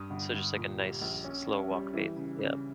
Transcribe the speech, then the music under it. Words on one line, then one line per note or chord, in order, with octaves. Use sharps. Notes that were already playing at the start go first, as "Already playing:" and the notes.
So just, like, a nice slow walk pace, yeah.
Already playing: G2 D#6
G1
G1
A#2
G3
A#1
C#4
C#4
G3
E3
C#3
C#3